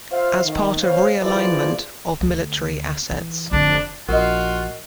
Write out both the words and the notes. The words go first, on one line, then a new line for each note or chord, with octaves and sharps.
As part of realignment of military assets.
F4 C5 E5 F5
D#3
B2 C5 C#5 F5
F3 E4 F4 G#4 B4 D5
D2
E3
F1 D3 D4
A#1 F4 F#4 A#4 D#5